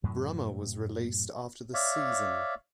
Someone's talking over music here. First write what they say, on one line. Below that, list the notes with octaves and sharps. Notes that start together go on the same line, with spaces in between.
Brummer was released after the season.
F#2 A2 C3 F#3
C#5 D5 E5 F5